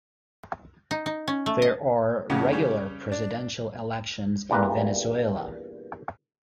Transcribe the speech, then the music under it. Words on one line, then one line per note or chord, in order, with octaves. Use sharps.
There are regular presidential elections in Venezuela.
D#4
D#4
C#4
A3
D#5
F2 A2 C#3 G#3 F#5
C#3 G3 C#4
D4
E2 G2 A#2 B4 A#5